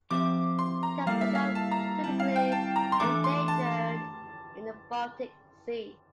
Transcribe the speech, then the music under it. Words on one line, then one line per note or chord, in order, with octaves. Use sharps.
It has become critically endangered in the Baltic Sea.
F3 C4 G4 C5 E5 D6
C6
A#5
G3 A#3 E4 A4 D5 F5
E5
F5
A5
A#5
G3 C4 E4 A5
F5
G5
A5
A#5
C6
E3 A3 D4 A4 E5 D6
C6
A5